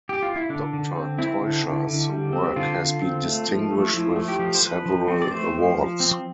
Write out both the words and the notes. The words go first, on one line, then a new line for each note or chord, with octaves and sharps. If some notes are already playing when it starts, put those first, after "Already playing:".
Doctor Teuscher's work has been distinguished with several awards.
G4
F4
E4
D3 D4
D3
C4
C4 E4
D3
D3
D3
G3
C4
D3 F4
D3
C4
A3
F3
A3
F3 E4
A3
G4
F3
C5
F3 B4
F3
C4
D5
A3 C5
F3
F3
C4